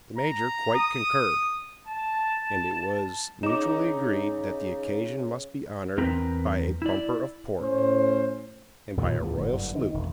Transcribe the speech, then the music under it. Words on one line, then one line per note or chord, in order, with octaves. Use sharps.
The major quite concurred; and it was mutually agreed that the occasion must be honored by a bumper of port, and by a royal salute.
A#5
D#6
A5
C#3 D#4 D6 E7
E2 C4 A#4 B4
E4 D5
A2 C#4 C5
D#2 A#2 D#3 F3
D2 A2 D3 F3
F#1 G2 D3
D#3
E1